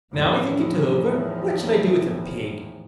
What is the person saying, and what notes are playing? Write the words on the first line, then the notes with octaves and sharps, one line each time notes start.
Now I think it over, what should I do with a pig?
E2 A2 D#3 F3